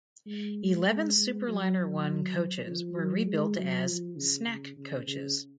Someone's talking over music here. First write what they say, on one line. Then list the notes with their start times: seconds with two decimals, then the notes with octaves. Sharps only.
Eleven Superliner I coaches were rebuilt as "snack coaches".
0.26 G#3
0.87 G#3
1.17 G#3
1.47 F#3
2.66 F3
2.96 F#3
3.27 G#3
3.56 F#3
3.87 F3
4.16 C#3
4.46 C#3
4.77 C#3
5.07 C#3